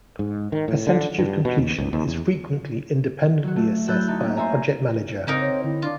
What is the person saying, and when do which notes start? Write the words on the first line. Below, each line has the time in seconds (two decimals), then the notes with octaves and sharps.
Percentage-of-completion is frequently independently assessed by a project manager.
0.19 G#2
0.52 D#3
0.68 A2
0.87 D3
1.19 G2
1.45 B2
1.58 D#2
1.78 C#2
1.93 D#2
2.08 E2
3.44 F#3 F#4
3.56 A3
3.87 F#3 E4 A4 E6 F#6 G6
4.07 D2 D#4 A4
4.20 A#3 C#4
4.37 C5 C#5 E5 G#5 A#5
5.27 C#3 A#3 C4 D#4 A#4
5.40 C#5
5.64 D3 E4
5.82 D4 F4